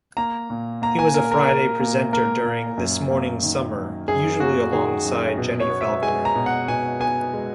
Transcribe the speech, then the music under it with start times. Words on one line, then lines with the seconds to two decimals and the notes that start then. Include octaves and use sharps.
He was a Friday presenter during "This Morning Summer", usually alongside Jenni Falconer.
0.17 A#3 A#5
0.50 A#2
0.82 A#3 A#5
0.99 G#5
1.14 A#2 A#4
1.31 A#4
1.47 A#3 A#4
1.80 A#2
2.13 A#3 A#4
2.44 A#2
2.78 F#2
3.11 A#3
3.43 D#3
3.76 F#2
4.08 F#2 G#4
4.40 A#3 F#4
4.72 D#3 G#4
5.05 F#2
5.38 B2
5.60 C#5
5.70 B3
5.81 E5
6.02 G#3 G#5
6.25 A#5
6.36 B2
6.46 F#5
6.68 B2 G#5
7.00 B3 G#5
7.34 G#3